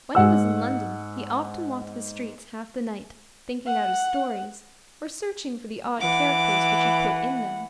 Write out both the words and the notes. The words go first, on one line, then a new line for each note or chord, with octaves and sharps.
When he was in London he often walked the streets half the night, thinking out his stories, or searching for the odd characters which he put in them.
G#2 F#5 E6
F#5
E3 F#5 D6